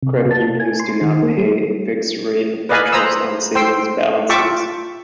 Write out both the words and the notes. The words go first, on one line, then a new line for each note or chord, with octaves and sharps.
Credit unions do not pay a fixed rate of interest on savings balances.
C3
A5
G#5
C6
D#3
A#3
G3
B4 D5 D#5 F5 G#5 B5
C5 A#5 B5 D#6 E6
C5 G5 C6 E6
F4 E5 G5 A5 C#6 D6